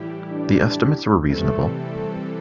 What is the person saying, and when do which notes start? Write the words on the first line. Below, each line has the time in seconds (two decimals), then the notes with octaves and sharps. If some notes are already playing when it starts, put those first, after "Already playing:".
The estimates were reasonable.
Already playing: A2 E3 G3 E4 G4
0.32 D4
1.28 C3 E3 G3 A3 C4 A4
1.77 A3